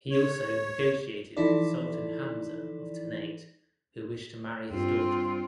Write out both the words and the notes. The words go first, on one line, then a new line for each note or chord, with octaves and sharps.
He also negotiated with Sultan Hamza of Ternate who wished to marry his daughter.
C#5
E3 F3 D#4 E4 A4 D5
G2 C4 F4